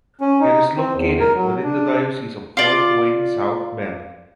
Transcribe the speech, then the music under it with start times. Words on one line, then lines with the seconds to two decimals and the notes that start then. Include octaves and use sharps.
It is located within the Diocese of Fort Wayne-South Bend.
0.21 C#4
0.41 D#4
0.77 C4
0.94 E2
1.20 A#4
1.35 F#3
1.63 D4
2.57 F4 D5